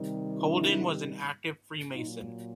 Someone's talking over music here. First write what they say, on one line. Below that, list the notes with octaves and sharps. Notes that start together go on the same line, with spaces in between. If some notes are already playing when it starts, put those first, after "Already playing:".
Colden was an active Freemason.
Already playing: C3 D#3 G3
D4 E4
A#2 F#3 D#4 F4